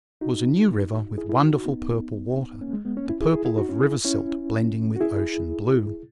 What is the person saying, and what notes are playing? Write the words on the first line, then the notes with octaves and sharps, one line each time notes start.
It was a new river, with wonderful purple water--the purple of river silt blending with ocean blue.
D#4 F#4
E4 G#4
E4 G#4
D#4 F#4
D#4 F#4
B3 D#4
A#3 C#4
G#3
G#3 B3
A#3 C#4
C#4 E4
E4 G#4
E4 G#4
E4 G#4
D#4 F#4
C#4 E4
E4 G#4
C#4 E4
F#4
E4 G#4